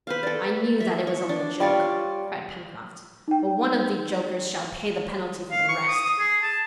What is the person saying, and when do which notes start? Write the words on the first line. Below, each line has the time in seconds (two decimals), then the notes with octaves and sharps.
"I knew that it was only a joke," cried Pencroft; "but one of the jokers shall pay the penalty for the rest."
0.07 B4 C5 F5
0.23 A4 D5
0.80 E5
1.07 C#5
1.29 D4
1.60 G3 F4 C#5 D5
3.28 D#4 G5
5.51 F5
5.68 C#6
5.88 D#6
6.19 G#4
6.43 A5